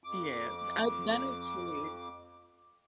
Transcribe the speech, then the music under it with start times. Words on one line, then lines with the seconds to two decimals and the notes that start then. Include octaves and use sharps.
Yeah, I that actually,
0.04 F2 D6